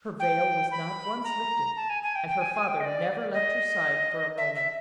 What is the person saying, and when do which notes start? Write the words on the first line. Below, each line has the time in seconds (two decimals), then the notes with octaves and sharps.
Her veil was not once lifted, and her father never left her side for a moment.
0.20 G5
0.71 B5
1.24 A#5
1.76 A5
1.90 G#5
2.03 G#5
2.15 G5
2.28 G5
2.41 G#5
2.54 G#5
2.68 G5
2.80 D#5
2.85 D5
3.33 D#5
4.38 E5
4.55 E5